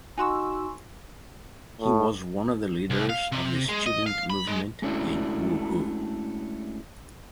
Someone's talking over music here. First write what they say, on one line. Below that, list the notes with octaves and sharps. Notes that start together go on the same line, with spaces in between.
He was one of the leaders of the student movement in Wuhu.
D#4 F#4 G#5 C6 C#6 E6
A2
C2
F5
C3
G#3
D#5
F5
B5
G#3
G#3 A3 C#4 D4 E4 F#4